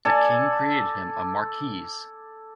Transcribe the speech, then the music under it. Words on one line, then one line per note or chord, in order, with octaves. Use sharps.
The king created him a marquis.
A4 D5 G#5